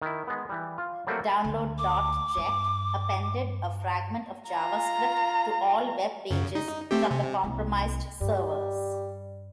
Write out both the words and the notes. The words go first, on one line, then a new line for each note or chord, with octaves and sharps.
Download.ject appended a fragment of JavaScript to all web pages from the compromised servers.
D#3 E4
G#3 B3
E3 G3
F4
F#3 G3 A3 A#3 C4 F#4
D2
D6
G2
F4 A#5
F#2 C#3
D#4
A3 C4 G4
C3
C2 A#3
G2 G3